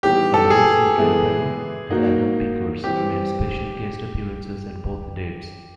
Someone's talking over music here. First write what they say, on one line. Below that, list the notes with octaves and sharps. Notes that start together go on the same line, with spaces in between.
Alessio Garavello and Adam Bickers made special guest appearances at both dates.
A2 E3 G3 B3 D#4 G4
A4
G#4
E3 G#3 B3 E4 A4
A#3 D#4 F#4
E3 G3 C4 G4